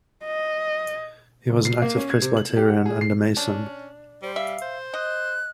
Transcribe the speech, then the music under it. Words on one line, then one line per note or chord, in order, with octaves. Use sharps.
He was an active Presbyterian and a Mason.
D#5
F#1
C7
A#3
C#4
G#6
C3
F#7
G4
F#5
G#4
C7
C#4 D4
G3 C5
E5 F5
C5
D#5 F#6